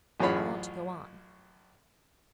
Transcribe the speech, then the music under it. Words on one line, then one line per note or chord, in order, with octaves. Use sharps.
"I want to go on."
A1 F#2 F4 G#4 C#5 B5